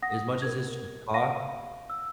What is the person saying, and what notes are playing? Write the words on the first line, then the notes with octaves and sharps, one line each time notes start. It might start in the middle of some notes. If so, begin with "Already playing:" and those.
As much as it's you talk,
F#5 D#6 A#6
A#4 G#6
F5 F#5 A#6 D#7
E6